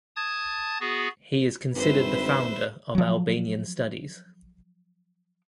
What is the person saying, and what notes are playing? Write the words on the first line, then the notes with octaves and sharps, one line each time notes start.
He is considered the founder of Albanian studies.
A5 D#6 G#6 A6
B3 F#4 G#4
G#1 G2 B4 C5 E5
F3 F#3